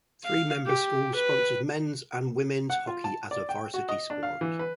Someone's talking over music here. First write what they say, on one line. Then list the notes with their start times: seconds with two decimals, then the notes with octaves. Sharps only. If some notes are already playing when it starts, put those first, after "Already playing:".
Three member schools sponsor men's and women's hockey as a varsity sport.
0.24 F5
0.65 G4
1.15 B4
2.70 F#5
2.87 F4
3.04 A5
3.31 D5
3.49 G5
3.74 F#4
3.89 D#5
4.10 D4
4.23 F5
4.41 E3
4.59 B4